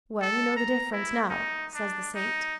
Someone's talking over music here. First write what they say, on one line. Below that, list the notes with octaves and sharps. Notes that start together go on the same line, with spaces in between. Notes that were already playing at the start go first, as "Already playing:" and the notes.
"Well, you know the difference now," says the saint.
A4
A#5
E4
D#4
D4
D#4